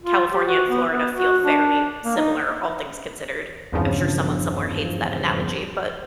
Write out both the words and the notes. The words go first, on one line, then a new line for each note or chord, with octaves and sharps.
California and Florida feel fairly similar, all things considered. I'm sure someone somewhere hates that analogy, but,
F4
G4
F#4
B3
B3
F#4
D4
A#3
D#4
G#1 E2 G2 C#3 F3